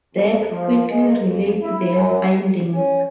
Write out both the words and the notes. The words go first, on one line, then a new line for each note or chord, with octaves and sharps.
Dax quickly relates their findings.
F2
F3
G#3
F2
E4
F#2
C#4